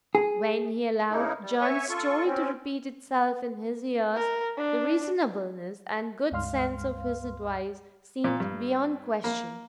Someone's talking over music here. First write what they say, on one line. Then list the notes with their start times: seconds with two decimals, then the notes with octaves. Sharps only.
When he allowed John's story to repeat itself in his ears, the reasonableness and good sense of his advice seemed beyond question.
0.15 G#4
1.11 C#3 A#3 D#4 E4
1.42 G3
1.61 C#5 E5 G#5 C#6
1.89 F4 A4 C#6
2.25 C4 C#4
4.16 A#4
4.58 D4
6.31 C#2 G2 G#3 F5 C6 F6
8.24 A#2
8.40 G2
9.24 A#3